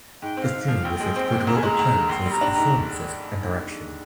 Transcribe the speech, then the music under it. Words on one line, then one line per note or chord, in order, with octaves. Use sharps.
The film received critical acclaim for its performances and direction.
G#2 G5
C4
F5
G#2
F3 F5
A#1 G5
G#3
C4
A#2
D2 A#5
G#5
G#3 A#5
D2
D3
A#1 C6
G3
A#5
D4
G#2 A#5